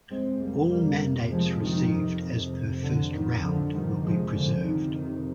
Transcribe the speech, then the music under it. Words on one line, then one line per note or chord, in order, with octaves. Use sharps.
All mandates received as per first round will be preserved.
F2 C3 G#3 C4
G3 A#3
G3 A#3
F3 G#3
D#3
D3
D#3
D3 F3
F2 C3 D#3 G3
F3 G#3
D3 F3
D#3
D#3